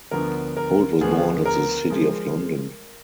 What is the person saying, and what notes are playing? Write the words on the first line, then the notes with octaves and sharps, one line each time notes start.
Holt was born at the City of London.
D2 D3 F3 B3 A#4
A#4
D2 D3 F3 B3 G#4
A#4
F3 G#3